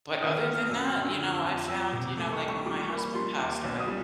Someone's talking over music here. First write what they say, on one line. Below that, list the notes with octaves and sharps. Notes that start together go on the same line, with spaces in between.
but other than that, you know, I found, you know, like when my husband passed away,
D#3 D#6
F6
B3
F6
F#2 E6
F6
D3
E6
F2 F6
E6
F2
F2 E6
D6
C3
A3 D6
C#6
C2
C#6
G3 D6
C#6
A#3
B5
G3 C6
D#2 D6
B1
D#6
G3